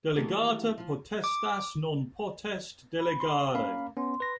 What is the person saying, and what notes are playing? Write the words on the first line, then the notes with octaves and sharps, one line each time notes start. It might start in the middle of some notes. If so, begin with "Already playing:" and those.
Delegata potestas non potest delegari.
D#3 E3 A3 A#3 F#4 G4
F3 F4
D6
B5
C6
A#3 C#4 F5 B5
B3 C#4 C6
B4 A#6